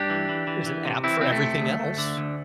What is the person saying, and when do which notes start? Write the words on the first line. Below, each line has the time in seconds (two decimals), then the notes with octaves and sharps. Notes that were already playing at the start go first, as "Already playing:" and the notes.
Th there's an app for everything else.
Already playing: G2 D4 G4
0.10 E3
0.29 E3
0.47 E3
0.66 E3
0.85 C3
1.04 E3 C4 E4
1.21 C3 C4
1.32 A3
1.42 C3
1.61 D2
1.80 D2
1.98 D3
2.17 D2